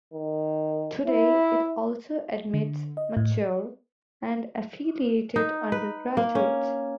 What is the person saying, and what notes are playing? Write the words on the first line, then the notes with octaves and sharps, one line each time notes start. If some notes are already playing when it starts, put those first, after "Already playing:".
Today, it also admits mature and affiliated undergraduates.
D#3
E4
D3
D#5
A2
D#4
B4
A#3
C#4